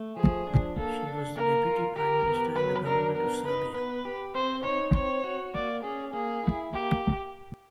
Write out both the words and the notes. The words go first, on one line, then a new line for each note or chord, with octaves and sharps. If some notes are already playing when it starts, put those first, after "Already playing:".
She was the Deputy Prime Minister in the Government of Serbia.
Already playing: A3
F3 G#4
D4
A#3 A4
D4
A#3 A#4
F4
G4 A#4
B3
F#3 B4
D4 A#4
B3 A#4
D#4 B4
B3 B4
G4
C4 C5
D#4 C#5
C4 C#5
F#4
A#3 D5
C#4 G#4
A#3 G#4
E4
A#3 G4